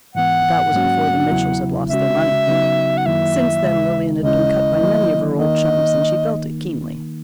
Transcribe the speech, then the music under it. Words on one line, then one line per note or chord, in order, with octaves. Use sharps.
But that was before the Mitchells had lost their money. Since then Lilian had been cut by many of her old chums and she felt it keenly.
G#2 E3 B3 F#5
G#2 F#3 A#3 C#4 F#4
E2 C#3 F#3 B3 E4
C#3 G#3 C#4 F#4 E5
C#3 F#3 B3 D#4 F#4
F#5
F#2 D#3 F#3 A#3 E4 E5
D#2 C#3 G#3
D#2 C#3 G#3 C#4 E4 D#5
D#3 F#3 A#3 E4
D#3 A#3 D#4 D#5